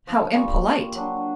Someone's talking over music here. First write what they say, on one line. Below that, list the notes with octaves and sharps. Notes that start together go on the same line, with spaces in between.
"How impolite."
F3 F4 F5
A#2 G3 B5 C#6
F#3 D4